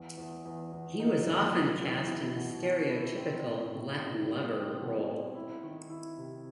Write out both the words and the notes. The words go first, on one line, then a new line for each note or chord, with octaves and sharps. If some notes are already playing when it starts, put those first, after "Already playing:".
He was often cast in the stereotypical "Latin Lover" role.
Already playing: E2
E2
E2
E2
D#4
F#2
B3
E3
E4
B2
B2
E4
C4
A2
A2
A2
G3
C4
B2
C4
E4
D#3
E4
C3